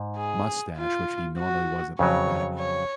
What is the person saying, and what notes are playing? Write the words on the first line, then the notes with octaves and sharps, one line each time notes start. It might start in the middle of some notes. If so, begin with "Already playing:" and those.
mustache, which he normally wasn't like that,
Already playing: G#2
G#4
F4
F#4
F2 C#3 F#3 C#5
C#5